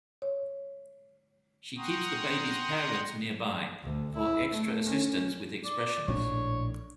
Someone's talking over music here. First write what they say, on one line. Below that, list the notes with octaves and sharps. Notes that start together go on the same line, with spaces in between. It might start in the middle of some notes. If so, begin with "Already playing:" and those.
She keeps the babies' parents nearby for extra assistance with expressions.
C#5
F#5 G5 A#5 C6 C#6 D#6
D2
E4
A3
C#4
D5
A#1 A2 D4 C#5